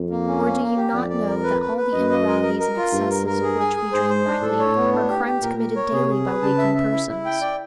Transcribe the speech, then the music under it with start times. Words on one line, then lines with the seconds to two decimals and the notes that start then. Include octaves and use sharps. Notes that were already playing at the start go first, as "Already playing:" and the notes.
Or do you not know that all the immoralities and excesses of which we dream nightly are crimes committed daily by waking persons?
Already playing: F2
0.10 A#3
0.28 C#4
0.44 A#3
0.61 A#3
0.77 G4
0.93 F2 D5
1.10 D5
1.27 A#4
1.43 B4
1.61 B4
1.77 B4
1.93 F#2 D#5
2.09 D#5
2.27 A#4
2.43 A#4
2.60 A#4
2.77 F4
2.93 G2 A#4
3.10 A#4
3.26 A#4
3.43 G#4
3.60 G#5
3.76 G#4
3.92 G#2 C5
4.09 C5
4.27 D4
4.42 A2 A4
4.59 C#5
4.76 B3
4.92 D4
5.09 G4
5.25 G4
5.42 A#2 A#4
5.59 A#4
5.76 C#5
5.92 C3 G#4
6.09 G#4
6.26 B4
6.42 C#3 A5
6.58 E5
6.75 E5
6.92 E4
7.08 E4
7.25 G5
7.41 D5